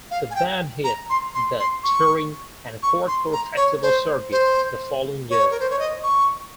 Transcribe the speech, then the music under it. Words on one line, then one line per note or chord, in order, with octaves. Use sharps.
The band hit the touring and hardcore festival circuit the following year.
F5
G#5
G5
A#5
C6
C6
C6
C#6
C#6
C6
A#5
C#5
C5
C5
C#5
A#4
C5
C#5
D#5
C#6